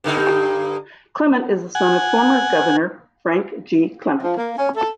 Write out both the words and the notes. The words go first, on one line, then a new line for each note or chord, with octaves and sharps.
Clement is the son of former Governor Frank G. Clement.
G2 D3 D#4
F#5 G#5
F3
A#3
C#4
A4